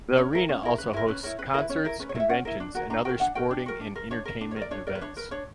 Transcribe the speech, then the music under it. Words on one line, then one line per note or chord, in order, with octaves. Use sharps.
The arena also hosts concerts, conventions and other sporting and entertainment events.
C#4 C#5
E4 A#4
C#4
E4 A#4
C#4 B4
E4 A#4 B4
C#4 B4
E4 A#4 C#5
C#4 B4
E4 A#4 B4
C#4 C#5
E4 A#4
C#4 B4
C#5
E4 A#4 E5
C#4 F#5
E4 A#4
D4
F#4 A#4
D4 A#5
F#4 A#4 G5
D4 F#5
F#4 A#4 G5
D4
F#4 A#4
D4
A#4
D4 C#5
A#4
D4
C#5
A#4
D5
D4 C#5
A#4 D5
B4
D4 C#5
A#4 B4
D4 C#5